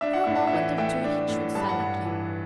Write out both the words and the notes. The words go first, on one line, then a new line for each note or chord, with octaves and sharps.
For a moment or two he chewed silently.
D4 E5
F#5
A2 E5
F#5
E5
E3
A3 E5 G5
D4
A2
G2 A5
B5
F#5 A5
G2
E3